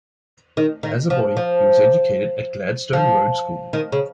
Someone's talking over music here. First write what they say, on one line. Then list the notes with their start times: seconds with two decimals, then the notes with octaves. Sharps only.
As a boy, he was educated at Gladstone Road School.
0.57 D#3
0.83 D#3
1.10 F3
1.37 F3
2.93 F3
3.73 D#3
3.92 C#3